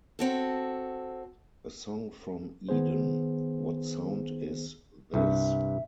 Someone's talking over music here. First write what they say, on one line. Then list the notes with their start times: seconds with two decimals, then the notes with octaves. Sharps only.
A song from Eden, What Sound is This?
0.19 C4 F#4 A4
2.69 D#3 B3 G#4 C5
5.14 C2 G2 E5